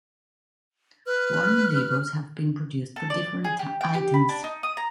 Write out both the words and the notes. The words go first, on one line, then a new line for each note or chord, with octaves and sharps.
Warning labels have been produced for different items.
B4 F6
A4
D5
G#4
G4
G5
G4
B5
D4
D#4
D#6
A#5